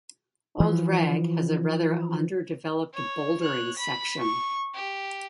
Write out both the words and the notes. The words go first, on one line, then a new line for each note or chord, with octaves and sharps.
Old Rag has a rather underdeveloped bouldering section.
E3 F3
C#5
C#5 F#6
B5 B6
C#6
G4